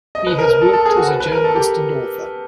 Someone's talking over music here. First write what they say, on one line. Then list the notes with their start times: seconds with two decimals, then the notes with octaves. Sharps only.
He has worked as a journalist and author.
0.15 D#5
0.27 B4
0.39 A#4
0.50 A#4
0.61 A4
0.73 A4
0.86 G#4
0.96 F#4
1.08 B4
1.20 B4
1.32 A#4
1.44 A4
1.55 G4